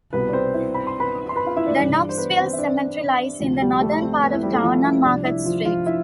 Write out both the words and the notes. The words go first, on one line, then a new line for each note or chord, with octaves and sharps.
The Knoxville Cemetery lies in the northern part of town on Market Street.
C2 B2 B3 B4
D5
C4 C5
E4 E5
B5
C6
B4 B5
C6
B4 B5
F4 F5
E4 E5
D4 D5
G2 E3
C5
B3 B4
C4 C5
E5
D4 D5
D2 C3 F3
G3 G4
A3 A4
C4 C5
B3 B4
E4
G3 G4
A3 A4
F3 F4
E4
C2 C3 F3 D4
E4
F3 F4
F3 F4
E4 E5